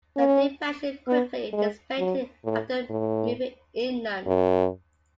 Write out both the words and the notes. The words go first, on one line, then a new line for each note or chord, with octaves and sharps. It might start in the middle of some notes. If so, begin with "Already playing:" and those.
The depression quickly dissipated after moving inland.
C#4
B3
G#3
F#3
A2
A2
F#2